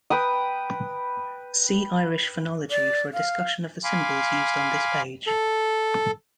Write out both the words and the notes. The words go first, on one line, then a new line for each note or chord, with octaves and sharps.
See Irish phonology for a discussion of the symbols used on this page.
B4 G5 D#6
D5
F5
F5 G#5 B5 C6 D6
A4